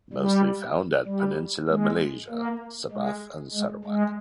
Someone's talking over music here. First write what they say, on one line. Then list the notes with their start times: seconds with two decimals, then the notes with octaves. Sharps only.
Mostly found at Peninsula Malaysia, Sabah and Sarawak.
0.13 G3
1.06 G3
1.69 G#3
2.30 A#3
2.91 G#3
3.54 G#3
3.85 G#3